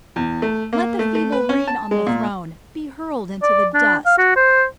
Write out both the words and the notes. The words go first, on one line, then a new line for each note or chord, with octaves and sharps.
Let the feeble reed on the throne be hurled into the dust!
E2
A3
A#3
A3
A3
B4
C#4
A5
G#3
A#2
D5
D4
F5
F#4
C5